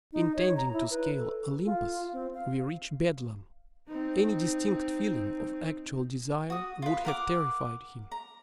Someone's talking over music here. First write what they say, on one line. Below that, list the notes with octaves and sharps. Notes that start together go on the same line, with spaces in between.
Intending to scale Olympus, we reach Bedlam; any distinct feeling of actual desire would have terrified him.
D#4
C#5
A#5
E4
B4
A4
F4
C4
F5
C4 D#4
F#4 D#6
F4 B4
A#4 F#5 D6
A#5